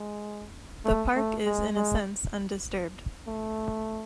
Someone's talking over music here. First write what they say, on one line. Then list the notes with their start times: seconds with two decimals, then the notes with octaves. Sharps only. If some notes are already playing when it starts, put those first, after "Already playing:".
The park is in a sense undisturbed.
Already playing: G#3
0.85 A3
1.16 A3
1.46 G#3
1.76 G#3
3.27 A3